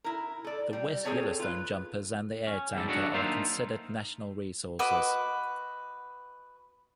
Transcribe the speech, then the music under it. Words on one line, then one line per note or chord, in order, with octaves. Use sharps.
The West Yellowstone jumpers and the air tanker are considered national resources.
E4 A#4
A4 D5
G3
C4 E4 G#4 A4 C#5
F4 B4
C#4
E2 G#2 G3 A4
F#3 D4 F#4 A4 D#5 F#5
A#3 D4 D#4 F4 C5 E5
F#4 B4 D#5 D6